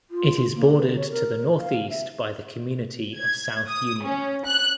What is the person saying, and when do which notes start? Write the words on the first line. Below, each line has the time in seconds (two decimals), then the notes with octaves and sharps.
It is bordered to the northeast by the community of South Union.
0.11 F4
0.55 A#3
0.78 B4
0.96 C#5
1.11 A#4
1.58 F5
1.90 E5
3.16 G#6
3.67 D#6
4.04 C#4
4.46 F#6